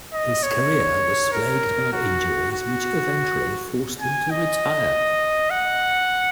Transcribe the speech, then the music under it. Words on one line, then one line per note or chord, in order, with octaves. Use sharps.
His career was plagued by injuries which eventually forced him to retire.
D#5
C#5
A#4
F#4
F#4
G#5
D#5
F#5